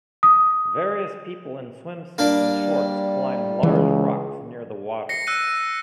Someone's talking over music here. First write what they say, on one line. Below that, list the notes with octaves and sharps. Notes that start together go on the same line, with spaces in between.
Various people in swimsuits and shorts climb large rocks near the water.
D#6
G3 A#3 D4
C#2 E3
A#6 C7 C#7
E6 F#6 A#6 D#7